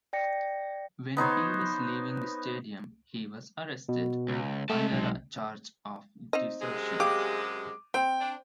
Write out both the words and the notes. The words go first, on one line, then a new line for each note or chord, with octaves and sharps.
When he was leaving the stadium he was arrested, under a charge of desertion.
D5 G5 A#6 C#7
B3 D#4 C5 C#5
B2
C#2
G#3 A3 A5
B1
C4 D#4 D#5
F#2 C3 G#3
G4 F5 D6
C4 G5
D4